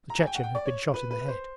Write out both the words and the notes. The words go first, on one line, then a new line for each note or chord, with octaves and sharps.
The Chechen had been shot in the head.
A#5
G#5
G5
F#5
G5
D5
C#5
B4
B4
C5